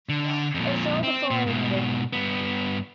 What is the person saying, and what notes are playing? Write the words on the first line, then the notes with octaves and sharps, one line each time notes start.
It fell the following year.
D3
F2 A#2
C4
A#2
G#2 B2
G2 B3